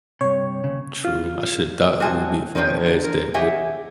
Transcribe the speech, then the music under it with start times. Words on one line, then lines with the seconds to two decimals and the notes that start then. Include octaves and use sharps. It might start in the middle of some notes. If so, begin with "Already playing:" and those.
True. I should've thought it would be if I asked that, but,
0.21 G2 C3 C#5
0.64 D#2 C#3
1.05 F4
2.00 G3 F#4 C5 D#5 G#5 A5
2.55 D#3 F3 C4 C#4 D#4
2.86 D3
3.04 A#4
3.34 G4 C#5 D#5 E5 F#5 G#5